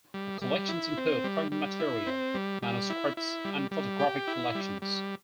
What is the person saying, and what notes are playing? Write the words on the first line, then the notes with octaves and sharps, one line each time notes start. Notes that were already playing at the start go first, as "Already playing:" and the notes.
The collections include printed material, manuscripts and photographic collections.
G3
G3
E4
C4
G3
G3
E4
C4
G3
G3
E4
E4
G3
G3
G4
E4
G3
G3